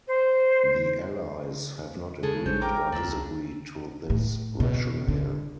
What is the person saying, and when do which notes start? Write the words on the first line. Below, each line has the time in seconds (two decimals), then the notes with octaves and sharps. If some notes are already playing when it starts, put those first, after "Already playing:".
The Allies have not agreed or disagreed to this rationale.
0.07 C5
2.23 C#3 G#3 G#4 A4
2.46 A1 C5 C#5
2.61 A#4 G5 A#5 D6
2.92 D#2 D4 A#5 E6
3.07 C#2
4.10 A2
4.60 B2
5.08 D3